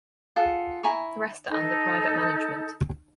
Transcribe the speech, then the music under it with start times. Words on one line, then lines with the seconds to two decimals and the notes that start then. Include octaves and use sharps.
The rest are under private management.
0.36 F4 G#4 A4 F#5
0.83 E4 G#5 A#5 C#6
1.49 D#4 A4